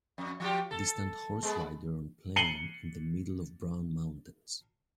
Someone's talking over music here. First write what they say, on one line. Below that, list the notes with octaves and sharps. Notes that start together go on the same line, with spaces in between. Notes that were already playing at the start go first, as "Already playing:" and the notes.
Distant horse rider on plain in the middle of brown mountains.
F2
F3 F4 G4
A4
G#3 B3
C7 C#7 D#7 F#7 G7